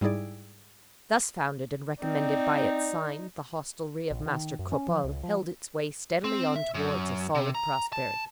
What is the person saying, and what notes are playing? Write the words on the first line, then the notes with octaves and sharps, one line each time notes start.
Thus founded and recommended by its sign, the hostelry of Master Cropole held its way steadily on towards a solid prosperity.
G#2 G3 D#4 E4 G#4 D5
C4 D#4 D5
A#1
D#3
F#2
C#4
F3
C#2
F3
C4
E5
F#2
C3
A#5
A5